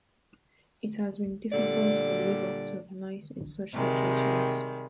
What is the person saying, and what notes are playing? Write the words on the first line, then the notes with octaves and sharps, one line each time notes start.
It has been difficult for labor to organize in such locations.
A#2 D3 G3 D5
C3 D#3 G3 G#3